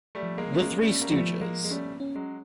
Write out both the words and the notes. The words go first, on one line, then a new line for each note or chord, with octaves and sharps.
The Three Stooges.
G3 A3
F3
G#3 A#3
A3 C#4
G#3 A#3
G3 A3 C#4
A#3
F3 G3 A3
F3 G#3 A#3
G#3
G3 A3 C#4
C#4
F#3 G#3